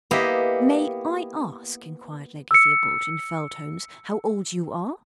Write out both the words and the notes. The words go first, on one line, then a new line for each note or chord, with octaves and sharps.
"May I ask," inquired Lady Theobald, in fell tones, "how old you are?"
A#3 B3 E4 G4 D#5
E6 C#7